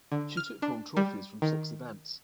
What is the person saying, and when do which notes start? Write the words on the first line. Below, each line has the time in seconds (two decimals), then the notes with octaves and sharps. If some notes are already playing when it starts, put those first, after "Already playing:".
She took home trophies from six events.
0.12 D3
0.37 F6
0.62 D4
0.97 G3
1.42 D#3